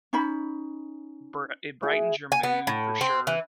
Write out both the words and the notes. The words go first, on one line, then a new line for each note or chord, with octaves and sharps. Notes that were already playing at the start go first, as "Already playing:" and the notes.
bri it brightens your mood for sure
C#4 D#4 B5
E4 G#4 F#5
G#5
B3
A2
C4
E3